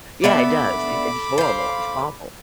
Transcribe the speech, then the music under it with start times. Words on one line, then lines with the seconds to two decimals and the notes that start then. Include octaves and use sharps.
Yeah, it does, it it's horrible, it's awful.
0.24 B3 D4 A4 E5 B5 D6
1.38 C5 F5